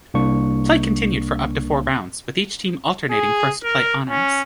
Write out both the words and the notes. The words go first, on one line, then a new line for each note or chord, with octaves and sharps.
Play continued for up to four rounds, with each team alternating first-play honors.
C2 A#3 D4 C#6
G#4
A#4
C#4